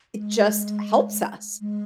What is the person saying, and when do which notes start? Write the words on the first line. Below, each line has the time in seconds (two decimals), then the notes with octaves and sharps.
it just helps us.
0.16 G#3
1.61 G#3